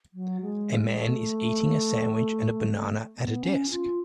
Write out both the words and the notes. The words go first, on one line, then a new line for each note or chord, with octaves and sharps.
A man is eating a sandwich and a banana at a desk.
F#3
G#3
A3
B3
C#4
F4